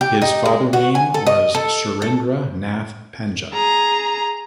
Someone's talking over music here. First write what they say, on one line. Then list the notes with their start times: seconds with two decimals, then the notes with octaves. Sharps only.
His father name was Surendra Nath Panja.
0.01 G4
0.22 D#4
0.46 G#3
0.73 F#4
0.95 G#5
1.14 A4
1.27 D#5
1.55 A4
2.02 A4
3.53 G#4 A#5